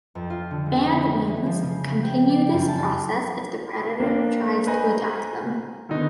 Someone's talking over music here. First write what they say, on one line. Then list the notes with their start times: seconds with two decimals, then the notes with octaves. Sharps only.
Bandwings continue this process if the predator tries to attack them.
0.15 F2
0.30 F4
0.51 D3
0.66 G#3
1.27 E3
1.46 F3
1.63 C#3
2.03 G5
2.29 D5
2.53 F#2
2.68 A5
4.00 F3 A#3 D4 F4 A#4 B4
4.66 B4 C5 D#5 G#5 A#5
5.89 D3 D#3 B3 D#4